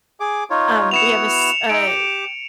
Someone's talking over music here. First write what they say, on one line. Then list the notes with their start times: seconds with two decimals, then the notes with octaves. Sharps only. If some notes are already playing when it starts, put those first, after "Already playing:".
Um, we have a s a
0.20 G#4 D6
0.50 D#4 F4 C#5
0.91 B3 E4 F#4 C#7 E7 F7
1.69 D#4 E5 D7
1.87 G4 D6